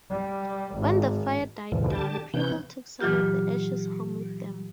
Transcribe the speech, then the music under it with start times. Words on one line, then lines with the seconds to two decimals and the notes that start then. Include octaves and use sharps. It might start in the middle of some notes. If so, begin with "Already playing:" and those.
When the fire died down, people took some of the ashes home with them.
0.10 G3
0.76 G#1
1.72 D#2 G#2 B2 D3 E3 F3
1.90 D3 G4 A5
2.34 C3 E3 B3 C#4 G6
3.01 A#2 E3 F#3 F4 G4